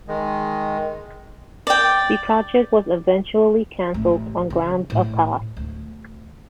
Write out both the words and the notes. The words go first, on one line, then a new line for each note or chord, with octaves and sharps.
The project was eventually cancelled on grounds of cost.
D#3 G#3
D5 G5
A1 A3
C#3
A2
D2